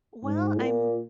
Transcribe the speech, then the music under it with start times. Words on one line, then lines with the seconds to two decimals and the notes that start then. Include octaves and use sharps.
Well, I'm
0.24 G#2
0.58 A#2